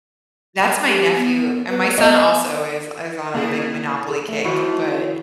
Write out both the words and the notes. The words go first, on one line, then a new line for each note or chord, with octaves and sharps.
That's my nephew. And my son also is is on a big Monopoly kick, but
G4
B3
B4
B3 D#5
C3 A#3 E4 G#4
A4
A3
D#3 F3 A3 E4 F#4